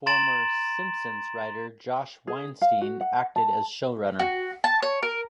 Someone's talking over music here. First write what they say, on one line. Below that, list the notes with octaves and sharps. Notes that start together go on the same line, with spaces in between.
Former "Simpsons" writer Josh Weinstein acted as showrunner.
A#5 C6 A6 D7 E7 F#7
G#4
F5
F#4
F#5
A5
F#4
A5
C#5
A#4